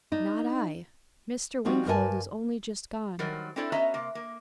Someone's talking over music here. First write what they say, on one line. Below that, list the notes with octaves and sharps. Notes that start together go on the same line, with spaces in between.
"Not I! Mr. Wingfold is only just gone."
D4 D#4
F3 G3 C4 D#4 F#4
G2 A#4 B4 D#5 G#5 A5
D#3 F#3 G3 A#4 C5
C4 D4 E4 A4 C5 D5
B3 C#4 F#4 D#5 E5 A#5
C3 A#3
A#3